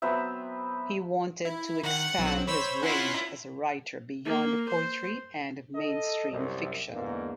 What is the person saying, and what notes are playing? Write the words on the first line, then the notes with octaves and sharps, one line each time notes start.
He wanted to expand his range as a writer beyond poetry and mainstream fiction.
F#3 B3 C4 E5
E4
D#3 F#5
B1 F#3 C4
C5 C#5 B5 E6
C#4 E4 F4 F#5 C6
A#3
C5
A4 D#5
C2 F#2
E2 G#2 D3 A#3